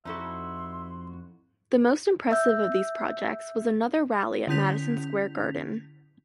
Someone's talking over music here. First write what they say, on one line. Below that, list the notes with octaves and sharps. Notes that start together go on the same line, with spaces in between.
The most impressive of these projects was another rally at Madison Square Garden.
F2 D#4 E4 F#4 A4 E5 C6
E5 E6 G6
D3 C#4 E4 G6 B6 F7